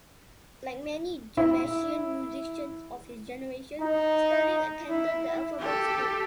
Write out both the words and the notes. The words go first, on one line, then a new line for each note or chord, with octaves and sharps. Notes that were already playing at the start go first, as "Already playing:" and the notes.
Like many Jamaican musicians of his generation, Sterling attended the Alpha Boys School.
E4
D#4
E4
G4 A4